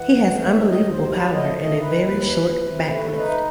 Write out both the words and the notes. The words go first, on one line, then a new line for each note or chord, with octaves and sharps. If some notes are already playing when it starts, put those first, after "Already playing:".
He has unbelievable power and a very short back-lift.
Already playing: E3 F#5
A2
D#3 E5
D#5
D#2
C5
F#3
B4
A3 D#5
C5
D#5
D#3
B4
D#2
B4
E3 B4
C3
A3
D#4 B4